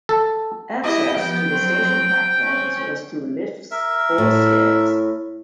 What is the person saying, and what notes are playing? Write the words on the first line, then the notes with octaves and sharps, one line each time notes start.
Access to the station platforms was through lifts or stairs.
A4
E4 G4 D#5
F3 B3 G5
F#3 C4
C4 C#4
A#4 E5
A2